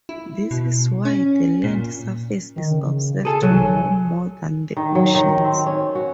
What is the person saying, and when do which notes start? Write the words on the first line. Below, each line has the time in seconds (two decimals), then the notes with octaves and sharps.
This is why the land surface is observed to warm more than the oceans.
0.09 E4
0.51 B2
1.05 C#4
1.64 A#2
2.56 D#3
2.71 C#3
3.25 G#4 A4 G#5
3.42 C2 F#3
4.77 D#3
4.95 F#3
5.14 D#3
5.45 C4
5.66 C#4
5.95 F#4